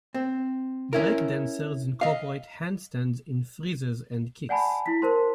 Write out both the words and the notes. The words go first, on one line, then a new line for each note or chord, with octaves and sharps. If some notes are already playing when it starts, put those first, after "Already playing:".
Breakdancers incorporate handstands in freezes and kicks.
C4
C#4 E4 A#4
D#5 F5
D5 F#5 G#5 A5 B5
E4 B6
A#4 C5 A5 C6